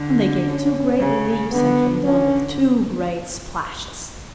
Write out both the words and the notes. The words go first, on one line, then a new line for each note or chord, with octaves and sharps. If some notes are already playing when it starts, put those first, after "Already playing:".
And they gave two great leaps and came down with two great splashes.
Already playing: D3
C#4
C#3
D3 B3
D3 C#4